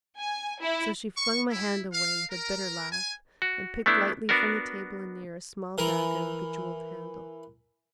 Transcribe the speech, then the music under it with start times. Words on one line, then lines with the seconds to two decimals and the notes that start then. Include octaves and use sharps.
So she flung my hand away with a bitter laugh, and picked lightly from the table anear a small dagger with a jewelled handle.
0.18 G#5
0.60 E4
1.17 C#6
1.50 E4
1.93 F5
2.30 A#4
2.91 G#5
3.42 F#4
3.86 A3 B3 D4 E4
4.29 B3 D4 F#4 A#4
5.78 E3 A#4